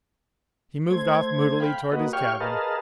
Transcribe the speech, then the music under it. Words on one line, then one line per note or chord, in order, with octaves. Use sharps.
He moved off moodily toward his cabin.
A3 C5 G#6
F5 G5 B5
A#3 F#4 B4 D#5
G4 C#5 F5 G5 C#6 F6
G#4 A#4 B4 D#5 F5 A5